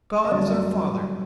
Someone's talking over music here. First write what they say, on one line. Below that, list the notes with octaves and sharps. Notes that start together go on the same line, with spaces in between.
God is our Father.
D#5
F#2 D3 G3 D5